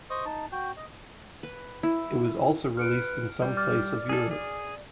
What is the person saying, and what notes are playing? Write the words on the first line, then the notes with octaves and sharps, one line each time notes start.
It was also released in some place of Europe.
C5 D#5 C#6 D#6
D#4 A5
F#4 G5
D#5
B4
E4
B4 F6 C#7 D7
G3 D5
D6 F6 A6
G#4 A4
G#4